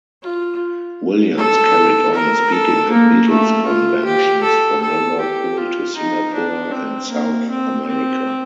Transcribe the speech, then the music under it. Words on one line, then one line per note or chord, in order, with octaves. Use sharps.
Williams carried on speaking at Beatles conventions from Liverpool to Singapore and South America.
F4
A4
A#4
A4
A#3
A3
F4
G4
A4
A4
G4
F4
D#4
D4
C4
A#3
C4
C4